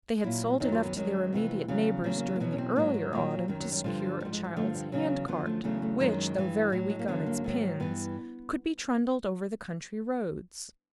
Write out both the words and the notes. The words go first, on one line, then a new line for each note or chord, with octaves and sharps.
They had sold enough to their immediate neighbors during the earlier autumn to secure a child's handcart, which, though very weak on its pins, could be trundled over the country roads.
A#2 F#3 E4
F#2 D#3 F#3 D#4
F4
B3
F#2 D#3 F#3 G#3
F2 C3 E3
E2 C#3 F#3
E2 C#3 F#3 A3
A#3
B3
A#3
E2 B2 F#3 B3
C#4
C4
G#2 D#3 F#3 A#3
G#3
A#2 F#3 G3
G3
F#2 D#3 F#3
F#3
G3
G2 D3 F3 G3
G#2 F3 G3
G#3
G3
G2 D3 F3 A3
G3
E2 C#3 F#3 C#4
F#2 D3 F3 B3
A3
E2 C#3 F#3 A3
A3
F#2 D#3 F#3 G#3
G2 E3
A2 F#3 G3
G#3
A#3
G2 D3 F#3 B3
A#3
G#2 D#3 F#3
G2 E3 B3